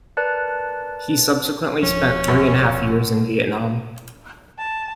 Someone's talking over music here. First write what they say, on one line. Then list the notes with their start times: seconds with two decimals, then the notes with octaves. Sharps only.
He subsequently spent three and a half years in Vietnam.
0.17 A#4 B4 D5 A5 F#6
1.83 D1 F3 C#4
2.28 F#2
4.59 A5